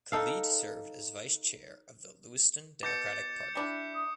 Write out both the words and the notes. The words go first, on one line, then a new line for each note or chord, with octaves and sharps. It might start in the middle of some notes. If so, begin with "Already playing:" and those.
Khalid served as vice chair of the Lewiston Democratic Party.
D#4 A4 F5
B2 D6 G6 A6 C#7
G3 D4 E4
D#6